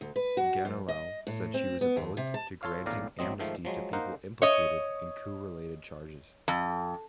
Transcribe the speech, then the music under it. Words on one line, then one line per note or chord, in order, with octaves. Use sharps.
Ganilau said she was opposed to granting amnesty to people implicated in coup-related charges.
D2
B4
F#4
F#2
D#5
A2
C4
B3
D#2
C3
A5
F4 A4 C#5 F5
A#1 E2 A2 D5 F5 A#5
A1 F#3 C4 D#5
G#2 D#3 F3 A3
F3 F#3 G#3
A#3 D#4 A#4 C5 F5 F#5
C#5 D#5
F2